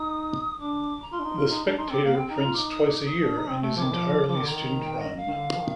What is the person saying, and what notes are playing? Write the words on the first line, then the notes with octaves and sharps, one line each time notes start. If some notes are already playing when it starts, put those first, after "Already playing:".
"The Spectator" prints twice a year and is entirely student run.
Already playing: D#4 D#6
D4 D6
A#5
F4 C6
D4
D#4
F4
D#4
D4 A#5
D#4 C6
C4 D6
A#3 F5
C4 G5
D#4
A#5
F4
D#4 D6
D#6
D6
D#6
D4
D#4
C4
A3
F3 D6
D#3
F3
F3 D6
D#3
D3
A#5
D#3
A#5
G5
D#5
F5
D#3
D3
F3
D#3